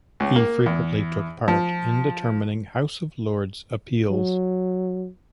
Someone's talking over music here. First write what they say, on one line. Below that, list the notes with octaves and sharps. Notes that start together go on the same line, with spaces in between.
He frequently took part in determining House of Lords appeals.
C#2
A#3
E2
F3
F#3